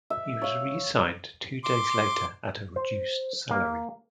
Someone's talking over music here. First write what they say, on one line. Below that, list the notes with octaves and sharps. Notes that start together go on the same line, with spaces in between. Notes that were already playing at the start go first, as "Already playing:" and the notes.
He was re-signed two days later at a reduced salary.
E5
C#5 F5
C6 D6
C5
A#3